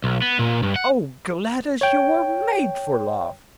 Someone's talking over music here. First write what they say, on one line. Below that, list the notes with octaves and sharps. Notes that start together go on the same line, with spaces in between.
Oh, Gladys, you were made for love!
B1
B3
A#2
G2
F#5
C#5 G5